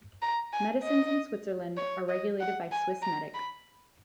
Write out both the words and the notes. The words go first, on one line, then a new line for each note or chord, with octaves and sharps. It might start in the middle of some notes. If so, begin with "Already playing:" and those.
Medicines in Switzerland are regulated by Swissmedic.
A#5
G#5
D#5
C#5
D#5
F#5
G#5
A#5
B5